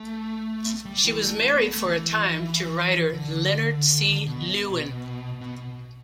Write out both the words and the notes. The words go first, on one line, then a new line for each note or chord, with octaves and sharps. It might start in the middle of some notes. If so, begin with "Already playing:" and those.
She was married for a time to writer Leonard C. Lewin.
Already playing: A3
G3
E3
A3
A3
B3
A3
E3
D3
B2
B2